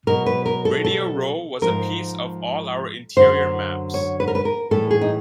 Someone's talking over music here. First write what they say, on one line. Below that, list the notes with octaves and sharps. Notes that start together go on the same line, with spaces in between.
Radio Row was a piece of all our interior maps.
B2 F#3 A#4
B4
A#4
A4
A4
G#2 F3 A#4
F#2 D3 F#3 C5
C#5
B4
A#4
B4
A#4
A2 E3 G3 A4
G#4
D#4